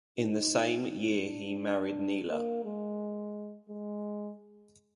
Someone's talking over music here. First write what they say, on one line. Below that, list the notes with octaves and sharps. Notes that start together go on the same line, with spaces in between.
In the same year he married Neeley.
D#4
D#4
D4
D4
A#3
G#3
G#3